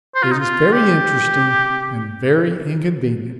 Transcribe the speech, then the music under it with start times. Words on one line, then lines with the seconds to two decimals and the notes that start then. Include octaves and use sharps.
It is very interesting and very inconvenient.
0.15 C5
0.23 F4
0.32 D#4
0.40 F4
0.72 G4